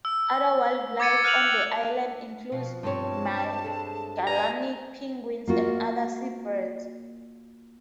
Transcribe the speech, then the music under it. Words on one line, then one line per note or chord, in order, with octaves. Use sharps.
Other wildlife on the island includes Magellanic penguins and other seabirds.
E6
D6 G#6 A6 C#7 D#7
F6 F#6 C#7 D#7 F7 F#7
B2 F3 F4
G2 C4 C#5 A5
G#3 A4
B3 G#5 A#5
A#3 F4 F#4